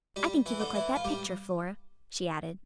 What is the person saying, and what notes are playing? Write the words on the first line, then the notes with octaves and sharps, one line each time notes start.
"I think you look like that picture, Flora," she added.
G3 G4
E3 E4
D3 D4
E3 E4
F4
G3 G4